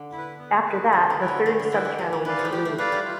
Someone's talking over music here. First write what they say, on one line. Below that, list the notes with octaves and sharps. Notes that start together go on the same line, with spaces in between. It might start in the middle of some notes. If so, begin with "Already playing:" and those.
After that, the third subchannel was removed.
Already playing: D3
E4
B4
B3
E4 B4
D3 A3
E3
E4 B4 E5 G5
D3
E3 A3
D3
E3 E4 B4 E5 G5
D3
E3 G4
E3
E3 B4 D5 F5
F3
A3
G3 G4
A3
A3 B4 D5 F5
G3
F4